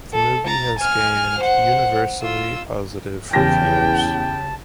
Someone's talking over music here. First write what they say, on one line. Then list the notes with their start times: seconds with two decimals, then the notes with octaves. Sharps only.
The movie has gained universally positive reviews.
0.14 A4
0.46 A#5 A6
0.79 G#5 F6
1.38 C5 F#5
2.22 F4 E6
3.33 E2 C#3 G4 G5 A5 A#6